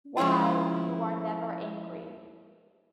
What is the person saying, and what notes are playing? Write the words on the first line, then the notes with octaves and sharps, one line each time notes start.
Why, you are never angry!
F3 G#3 C#4 E4 F4